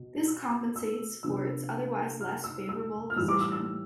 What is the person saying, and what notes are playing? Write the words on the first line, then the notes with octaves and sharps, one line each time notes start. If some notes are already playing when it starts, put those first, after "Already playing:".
This compensates for its otherwise less favourable position.
Already playing: B2
E6
E6
C3 F3 B3 D4 E6
F6
E6
E6
F6
A2 E3 G3 E6
D6
E6
E6